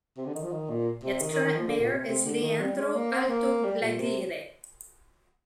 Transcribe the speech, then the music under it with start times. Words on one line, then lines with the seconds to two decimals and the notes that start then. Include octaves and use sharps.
Its current mayor is Leandro Altolaguirre.
0.18 C3
0.26 D3
0.35 D#3
0.43 F3
0.52 D#3
0.69 A#2
1.04 C3
1.21 D#3
1.33 D#3
1.44 D#3
1.56 F3
1.67 D3
1.79 A#2
1.91 C3
2.08 C3
2.25 D3
2.43 D#3
2.60 G3
2.77 G#3
2.95 A#3
3.12 C4
3.30 A#3
3.64 G3
3.82 A#2
3.99 C3